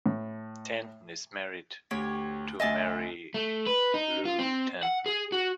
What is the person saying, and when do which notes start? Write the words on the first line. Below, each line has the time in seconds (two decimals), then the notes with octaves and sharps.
Tanton is married to Mary Lou Tanton.
0.06 A2
1.91 D2 G4 C#5
2.60 D2 D#5 E5 G#5 A5
3.34 A3
3.67 B4
3.94 D#4
4.25 F4
4.39 C4
4.83 F#5
5.06 G#4
5.32 F#4